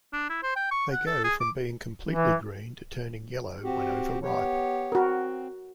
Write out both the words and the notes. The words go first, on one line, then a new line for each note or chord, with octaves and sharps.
They go from being completely green to turning yellow when overripe.
D4
E4
C5
G5
C#6
F#5
A4
G#4
D6
E3
C4 F#4 G4
B3 G4 C#5
C4 F#4 A#4